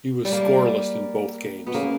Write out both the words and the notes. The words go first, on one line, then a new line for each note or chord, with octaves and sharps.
He was scoreless in both games.
G3
A#3
B2 B3
C#3 A#3